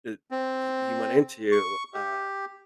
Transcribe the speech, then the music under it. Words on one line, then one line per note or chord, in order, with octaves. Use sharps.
that he he went into, uh,
C4
C#6
G4